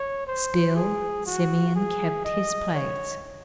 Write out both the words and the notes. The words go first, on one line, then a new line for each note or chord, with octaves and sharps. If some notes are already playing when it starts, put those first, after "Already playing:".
Still Simeon kept his place.
Already playing: C#5
C5
G#4
F#4
G#4
D#5
C#5